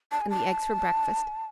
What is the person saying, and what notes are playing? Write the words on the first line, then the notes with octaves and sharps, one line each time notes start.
"And the eggs for breakfast?"
A5
G#5
A5